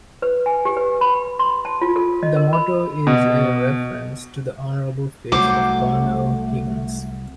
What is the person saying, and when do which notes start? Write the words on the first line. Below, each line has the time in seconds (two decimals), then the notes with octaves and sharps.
The motto is a reference to the honorable feats of Colonel Higgins.
0.22 B4
0.46 G#5
0.65 G4
0.77 B4
1.01 B5
1.39 C6
1.65 A5
1.81 F4
1.96 A4
2.23 D#5
2.36 A#4
2.53 B5
3.07 B2
5.32 C2 F#3 A3 C5 D6